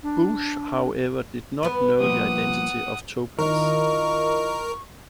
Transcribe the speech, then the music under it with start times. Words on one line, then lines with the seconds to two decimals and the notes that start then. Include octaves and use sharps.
Busch however did not know the identity of Topaz.
0.03 D4
1.63 B3 B4
2.00 G2 A#2 F3 F#5 D#6
3.39 D#3 E4 F4 A#4 D#5 C#6